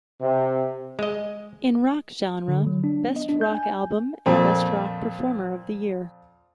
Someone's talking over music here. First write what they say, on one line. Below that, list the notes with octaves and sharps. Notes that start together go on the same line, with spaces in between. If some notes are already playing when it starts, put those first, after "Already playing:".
In Rock Genre : Best Rock Album and Best rock Performer of the Year.
C3
G#3 D#5
D3
F#3
D4
B3
D#5
D4
G6
G#5
F2 A#2 C4